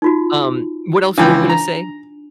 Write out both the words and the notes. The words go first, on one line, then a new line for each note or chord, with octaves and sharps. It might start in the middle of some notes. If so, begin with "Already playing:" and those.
Um, what else were you gonna say
D#4 F4 F#4
C#2 E3 D4 G5
A#5